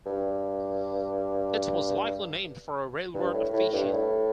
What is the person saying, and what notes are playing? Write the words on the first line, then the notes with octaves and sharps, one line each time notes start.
It was likely named for a railroad official.
G2
G2
A2
A2
G2
A2